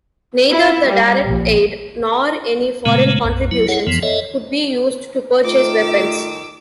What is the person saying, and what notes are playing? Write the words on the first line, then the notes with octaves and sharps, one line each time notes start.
Neither the direct aid, nor any foreign contributions, could be used to purchase weapons.
E4
G3
A#1
A#2 C#3 G#3 A3 B3
B1 F#2
F#3 E4
E4 G#4 A4 C#5 F#5
F2 E3 F3 B3
A4 C#5 D#5 E5
D#3 A3 F4 D6 E6